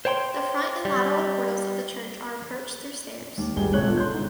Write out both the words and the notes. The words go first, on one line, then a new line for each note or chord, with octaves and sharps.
The front and lateral portals of the church are approached through stairs.
C5 C#5 G5 B5 C6
G3
D#2
D1 G1 G3 G#4 G5 G7
D#1 C#2 C3 C#5 F#6 F#7
B3 F4 A4
C6 G6
G#2 D3